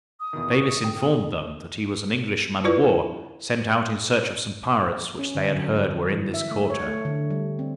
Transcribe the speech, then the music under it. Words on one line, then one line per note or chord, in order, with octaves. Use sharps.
Davis informed them, that he was an English man-of-war, sent out in search of some pirates which they had heard were in this quarter.
D#6
E2 B2 D#3
E4 C#6
G1
A4 G5
E2
E4 F4 B4 D5
C#4
D3
F#3
E3
E5
A3
C#5
A3
D3
G3
C4